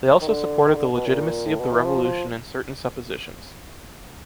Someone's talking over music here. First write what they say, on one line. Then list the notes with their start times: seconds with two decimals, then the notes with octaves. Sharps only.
They also supported the legitimacy of the revolution in certain suppositions.
0.22 D#3
0.28 D3
0.67 D#3
0.76 D3
0.96 B2
1.06 A#2
1.46 A2
1.59 B2
1.73 E3
1.85 F3
2.05 F3